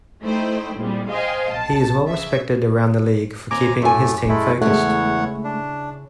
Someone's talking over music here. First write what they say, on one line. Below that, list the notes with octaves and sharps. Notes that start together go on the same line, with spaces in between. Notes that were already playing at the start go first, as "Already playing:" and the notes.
He is well respected around the league for keeping his team focused.
A3 D#4 E4 C5 G5
A#2 G3 G#3 C4
C5 D#5 F5 G5 G#5 C6
B1 A5
C#3 E5
D#2 C4 G#5 A#5 D6
F#2 A2 A3 G#5
G#3 A3 E4
E2 C#3 G#3 A3 E4 C#5 F#5
D4